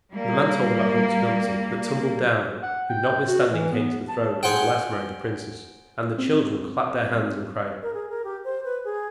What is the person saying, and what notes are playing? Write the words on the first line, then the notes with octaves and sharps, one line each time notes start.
And the man told about Humpy-Dumpy that tumbled down, who notwithstanding came to the throne, and at last married the princess. And the children clapped their hands, and cried.
G3 A#3
F#5
G5
F#4
E3
B3
A5
G#4 C5 F#5 G5
C4
A#4
G#4
A#4
G4
C5
B4
G#4